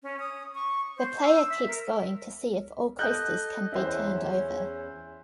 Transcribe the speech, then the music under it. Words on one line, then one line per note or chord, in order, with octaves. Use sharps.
The player keeps going to see if all coasters can be turned over.
C#4
D#6
C#6
C5
E6
E5
A#4
A4 D#5 F#6 G6
E2 C#4 E4 C5